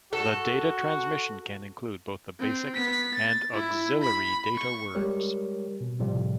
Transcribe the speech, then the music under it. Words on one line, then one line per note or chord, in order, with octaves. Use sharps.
The data transmission can include both the basic and auxiliary data words.
F#4 A4
C4
B3 B6
A6
E4
B5
C#6
G3 G#3 G4 A#4 C#5
B2
A2 C3 F3 G3